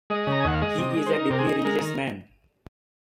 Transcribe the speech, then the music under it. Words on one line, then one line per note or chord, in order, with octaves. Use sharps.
He is a deeply religious man.
G#3 D#5
C#3
A#5
G#5
D#2 F#5
F5
G#3 D#5
C3
G#3
C5
D#4 A#4
C3 A#4
G#4
D#4
G#3 A#4
D#3